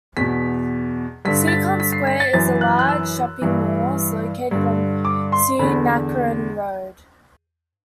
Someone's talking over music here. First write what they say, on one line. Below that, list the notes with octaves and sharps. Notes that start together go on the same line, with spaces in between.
Seacon Square is a large shopping malls located on Si Nakharin Road.
E2 B2 B6
G2 D3 B6
A6
B6
B6
C7
B6
A6
F#2 E3 A6
F#6
F#6
E6
G2 E3
G2 D3
D6
C6
E2 D3 B5